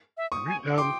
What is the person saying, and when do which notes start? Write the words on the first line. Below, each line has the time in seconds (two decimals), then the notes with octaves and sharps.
Alright? Um,
0.17 E5
0.32 C#6 D#6
0.47 G#5
0.78 G5 C6 D6